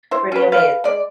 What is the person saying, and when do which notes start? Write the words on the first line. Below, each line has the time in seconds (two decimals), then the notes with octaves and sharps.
Pretty amazing.
0.11 E4 C5
0.32 C#4 B4
0.52 B4 F5
0.84 G#3 D5